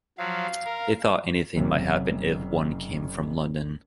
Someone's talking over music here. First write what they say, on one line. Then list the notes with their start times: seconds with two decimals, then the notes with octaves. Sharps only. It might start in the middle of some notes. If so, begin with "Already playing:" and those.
They thought anything might happen if one came from London.
0.18 F3 F#3 F5
0.65 A#4
1.56 F#1 F#2 C3